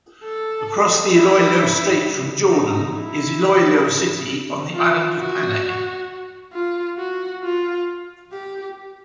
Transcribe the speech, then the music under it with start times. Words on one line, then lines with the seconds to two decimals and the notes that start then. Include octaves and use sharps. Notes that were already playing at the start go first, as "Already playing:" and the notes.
Across the Iloilo Strait from Jordan is Iloilo City on the island of Panay.
0.24 A4
1.13 E4
2.49 D#4
2.94 E4
4.74 F4
5.18 F#4
6.53 F4
6.99 F#4
7.44 F4
8.33 G4